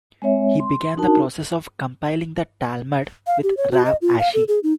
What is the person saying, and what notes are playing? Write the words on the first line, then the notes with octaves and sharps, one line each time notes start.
He began the process of compiling the Talmud with Rav Ashi.
G#3 C4 C#5 E5
C6
D4 D#4 F#4 A#4 A5
F5
G4
C#5
F#4
D#5
F4
F5
A4
G#4
D#4